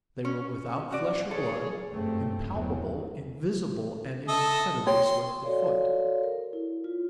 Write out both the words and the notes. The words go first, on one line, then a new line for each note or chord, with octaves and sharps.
They were without flesh or blood, impalpable, invisible, and incredibly swift of foot.
C#4
C#4 F#4 D5
G#4 A4 C#5
F#1 G2 A#2 A3 C4
E2 F#3 C4
A4 D#5 E5
C#5 G5 C6
F#4 A4 C#5 D5 F5
A#4
E4
F4